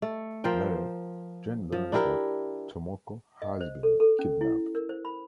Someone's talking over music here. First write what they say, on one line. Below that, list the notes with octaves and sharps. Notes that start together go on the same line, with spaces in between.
Later, Gen learns that Tomoko has been kidnapped.
A3
F3 A#4 C5 G5
F3
D4 E4 G4 A#4
D#5
C5
A4
A4
C#4
E4
A#4
C5
B5